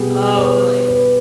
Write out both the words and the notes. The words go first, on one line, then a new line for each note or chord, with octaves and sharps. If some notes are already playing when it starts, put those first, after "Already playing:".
Oh, really?
Already playing: B2 G3 B3 G4 G#4
B4
B4